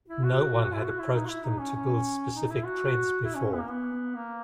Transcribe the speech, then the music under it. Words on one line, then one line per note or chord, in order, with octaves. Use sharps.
No one had approached them to build specific treads before.
E4
F#4
F#4
F#4
E4
F#4
E4
D#4
F#4
E4
D#4
C#4
C#4
D#4
E4
F#4
E4
C#4
C#4
B3
A#3
B3
A#3